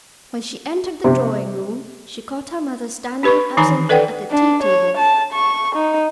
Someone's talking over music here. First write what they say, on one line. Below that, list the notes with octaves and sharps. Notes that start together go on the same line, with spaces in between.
When she entered the drawing-room, she caught her mother standing absently at the tea-table.
C3
D4 G4 B4 B5 C#6
D#3 E3 D#4 G#5 A#5 B5
A4 B4 D5 F#5 G5
D4
C#5
A5
C#6
D#4